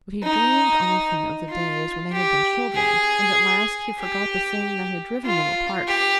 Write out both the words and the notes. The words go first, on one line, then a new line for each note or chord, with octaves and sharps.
But he dreamed often of the days when they had been children and at last he forgot the thing that had driven them apart.
D#4
F4
G4
G#4
G4
F4
G4